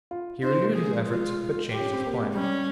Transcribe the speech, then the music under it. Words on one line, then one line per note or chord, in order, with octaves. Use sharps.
He renewed his efforts, but changed his plan.
F4
D#4 C5
A#3
G#4
G#3
F4
G4
C#4
C4
A#3
G#3
G3 C#4